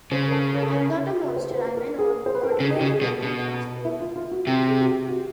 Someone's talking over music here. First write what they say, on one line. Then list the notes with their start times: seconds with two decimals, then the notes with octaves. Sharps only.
I am not a monster I am an ordinary working-class poor man.
0.12 C#3 C5
0.28 A#4
0.32 A4
0.53 A#4
0.63 A4
0.73 A#4
1.28 B4
1.36 C5
1.51 C5
1.57 B4
1.77 A#4
1.98 G#4
2.26 C5
2.35 B4
2.43 A#4
2.52 A4
2.60 C#3 G#4
2.76 G4
2.81 C#3
2.92 G#4
3.02 B2
3.07 A4
3.23 B2
3.85 E4
4.00 F4
4.16 F4
4.32 F#4
4.47 C3 G4
4.68 G#4
4.79 F#4
4.89 G4
5.09 F#4